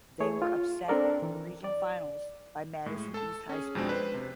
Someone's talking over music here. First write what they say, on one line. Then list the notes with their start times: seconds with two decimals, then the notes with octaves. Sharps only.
They were upset in the Regional Finals by Madison East High School.
0.20 A3 G#4 C#5
0.42 F4
0.88 C4 D4 A4 A#4 D5
1.22 E3
1.64 D5
2.86 A2 G#3
3.14 A4 A5
3.49 C#4 G#4
3.75 F2 B2 G#3 C4 D4
3.89 B4 C5
4.14 C3